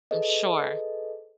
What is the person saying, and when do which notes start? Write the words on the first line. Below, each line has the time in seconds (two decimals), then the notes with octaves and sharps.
I'm sure.
0.11 G#4 A4 B4 C5 D#5